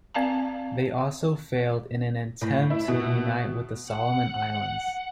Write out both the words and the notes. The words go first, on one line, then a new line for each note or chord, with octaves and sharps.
They also failed in an attempt to unite with the Solomon Islands.
C4 D5 F5 A5 A#5
A2
E4
B2
F#5